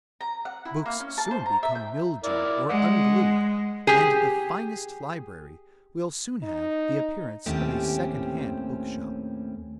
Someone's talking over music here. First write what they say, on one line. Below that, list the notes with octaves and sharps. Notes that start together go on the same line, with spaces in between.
Books soon become mildewed or unglued and the finest library will soon have the appearance of a secondhand bookshop.
A#5
F#5
E4
A#3
C#4
A5
C5
A#5
E5
G5
E4 A#4 D5
G#3 F#5
G4 G#4
D#4
D#2 A2 A3 C4 C#4 G4